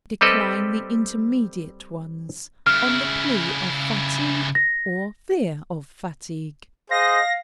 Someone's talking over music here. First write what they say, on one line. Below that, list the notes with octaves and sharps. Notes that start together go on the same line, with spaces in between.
Decline the intermediate ones, on the plea of fatigue, or fear of fatigue.
G3 C4 G4 A4 B4 D#5
C#3 E4 F6
A#6
G#4 C5 D#5 F5 A#6